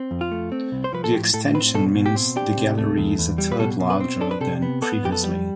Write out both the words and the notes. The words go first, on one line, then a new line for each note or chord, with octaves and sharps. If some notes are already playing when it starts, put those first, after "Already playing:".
The extension means the gallery is a third larger than previously.
Already playing: C4
F2
F4
A3
C4
C2
C5
F3 B4
A4
A2 G4
A2 A4
C4 B4
B2 A4
B2
G4
C4
D4 G4
C3
A3
E2
E2
G3
B4
B2 A4
B2
B4
C4
D4 A4
B4
C3 A4
B3
B3 A4
F2 G4
A4
G3